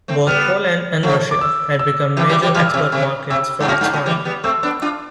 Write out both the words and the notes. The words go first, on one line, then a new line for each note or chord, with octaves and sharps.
Both Poland and Russia had become major export markets for its wine.
A3 C4
G3 B3 F6
F3 A3
D6
E6
E6
C3 E3
E3 G3
E3 G3
E3 G3 F6
E6
C3
F6
C3
C3 E6
G2
A2 F6
G2
A2
E3 G3
G3 B3
A3 C4 E6
B3 D4
D4 F4